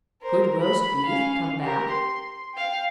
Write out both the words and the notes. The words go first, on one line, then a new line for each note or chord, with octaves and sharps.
Could roast beef come back?
A#4 C5
B5
C#4 F5
G4 A#4
C6
F5 G5